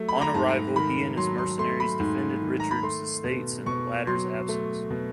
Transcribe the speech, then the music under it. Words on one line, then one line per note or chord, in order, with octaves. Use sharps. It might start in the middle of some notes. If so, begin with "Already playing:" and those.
On arrival he and his mercenaries defended Richard's estates in the latter's absence.
Already playing: F#3 A3
B5
A#5
G#2 A5
D#3 B5
F#3 C6
C6
A3 C6
B5
G#2
D#3
A#5
B5
A3 C6
B2
B2 C#6
F#3 C6
A3
B2